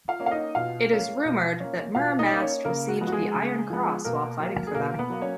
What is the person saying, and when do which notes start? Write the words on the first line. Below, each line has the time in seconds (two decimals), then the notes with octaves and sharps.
It is rumoured that Mir Mast received the Iron Cross while fighting for them.
0.08 F4 F5
0.20 A#3 C#4
0.26 F5
0.31 D#4 D#5
0.55 B2 F4 F5
0.90 A#3 C#4
1.25 B2
1.60 A#3 C#4
1.95 B2 F4 F5
2.19 D#4 D#5
2.31 A#3 C#4
2.42 C#4 C#5
2.65 C#3 A#3 A#4
2.88 F#4
3.01 F3 G#3 B3
3.07 F#4
3.12 G#3 G#4
3.35 C#3
3.70 F3 G#3 B3
4.05 B2 A#3 A#4
4.40 F#3 A#3
4.67 G#4
4.75 B2 A#3 A#4
4.99 B3 B4
5.10 F#3 A#3
5.21 C#4 C#5